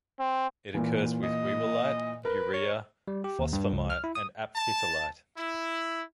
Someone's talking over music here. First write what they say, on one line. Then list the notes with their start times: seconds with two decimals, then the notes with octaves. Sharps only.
It occurs with whewellite, urea, phosphammite and aphthitalite.
0.20 C4
0.74 A#2 E3
1.23 D#5
2.25 A#4 B4
2.54 C#5
3.08 G3
3.24 G4
3.39 D#2
3.53 G2
3.72 C#2
3.90 F6
4.04 E4
4.15 D#6
4.56 A5
5.37 E4